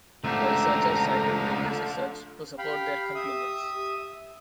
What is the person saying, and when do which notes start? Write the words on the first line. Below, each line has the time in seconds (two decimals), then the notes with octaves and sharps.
The researchers cited previous research to support their conclusions.
0.24 C#2 D3 F3 A3 G4 A#5
2.58 G4 F5 G5 B5
3.15 E5 D#6